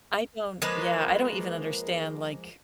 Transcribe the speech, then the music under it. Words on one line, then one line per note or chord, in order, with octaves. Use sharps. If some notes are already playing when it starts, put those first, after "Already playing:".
I don't yeah, I don't even understand, like
F3 G#3 A#3 B4